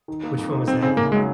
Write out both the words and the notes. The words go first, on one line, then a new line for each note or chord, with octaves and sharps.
Which one was that?
D#3
A#3
F2
D#4
F2 C4
C#3 C4
F#1 A#3
F#3 G#3